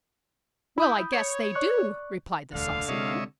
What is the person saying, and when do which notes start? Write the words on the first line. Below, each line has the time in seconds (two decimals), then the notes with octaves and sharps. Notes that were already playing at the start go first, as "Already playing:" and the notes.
"Well, I guess they do," replied the saucy one.
0.78 E4 B5 D#6 G6
1.12 C#5
1.55 D5 C#6 F#6
2.53 E1 D2 D3 F5
2.88 C3 G#3 C#5 D#5 E5